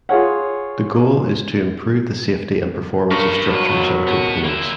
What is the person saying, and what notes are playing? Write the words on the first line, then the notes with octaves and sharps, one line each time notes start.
The goal is to improve the safety and performance of structures and components.
F4 G#4 C#5 F#5
G2 A#4 B4 C#5 C#6
G#2 F#3 B4
B3 F#4
A#3 E4